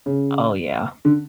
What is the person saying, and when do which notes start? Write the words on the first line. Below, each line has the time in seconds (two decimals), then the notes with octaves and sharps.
Oh yeah.
0.06 C#3
1.05 D3